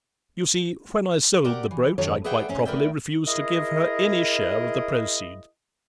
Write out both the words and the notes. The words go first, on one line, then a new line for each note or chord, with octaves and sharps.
You see, when I sold the brooch I quite properly refused to give her any share of the proceeds.
G4 A#4 D5 F#5 G5
E3
F#2 D#3 G4 A4 C#5
G#4 B4 D5 E5 F#5 G5
G#2 C4 C#4 C#5
D2 A#4 B4 D5 E5 G5
E4 G#4 A#4 D#5